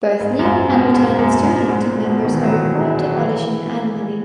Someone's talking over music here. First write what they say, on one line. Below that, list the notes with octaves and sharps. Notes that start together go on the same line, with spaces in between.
Both new and returning student members are required to audition annually.
G#2
F#2
G#2
B2
G#2
F#2
G#2
G#2
A#2
B2
D#3
E3
F#3
G#3
F#3
E3